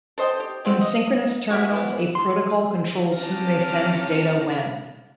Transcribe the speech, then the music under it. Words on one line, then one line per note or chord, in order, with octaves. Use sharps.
In synchronous terminals a protocol controls who may send data when.
A4 C5 D#5 G5
G4
F#3 C4 F4
D#5
F#4 G4 E5
E3 F3 B3
C6
C4 C#4 G4 F5 A5 A#5